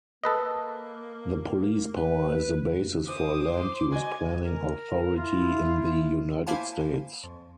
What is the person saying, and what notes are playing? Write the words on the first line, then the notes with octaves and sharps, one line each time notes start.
The police power is the basis for land-use planning authority in the United States.
A#3 A4 B4 D#5
B4
E3 C5 D6 D#6
C6
F#4 D#5 G#5
A#4
E4 F4
A#3 E4 C5 F5 G#5 A5
F2